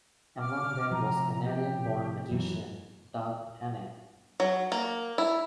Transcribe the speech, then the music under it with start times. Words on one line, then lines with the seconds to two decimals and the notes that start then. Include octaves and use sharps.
Among them was Canadian-born magician Doug Henning.
0.39 D6 F6
0.91 C3 F3 A#5
1.43 G4
2.31 F#2 E3
4.40 F#3
4.72 A#3
5.18 E4